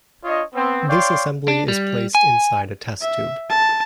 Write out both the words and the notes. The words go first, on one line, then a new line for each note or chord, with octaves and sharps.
This assembly is placed inside a test tube.
D4 F4 C#5 D#5
B3 C4
C#5 D5 F5 G5 C6
D4
G3
G#5
E5
A5